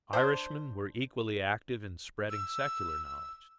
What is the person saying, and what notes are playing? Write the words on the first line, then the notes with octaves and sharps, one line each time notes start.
Irishmen were equally active in spreading secular knowledge.
D4 C5
E6